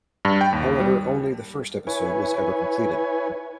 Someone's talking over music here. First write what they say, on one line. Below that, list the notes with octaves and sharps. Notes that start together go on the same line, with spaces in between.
However, only the first episode was ever completed.
G2
G5
D#2
G3
E4 B4 C#5 G#5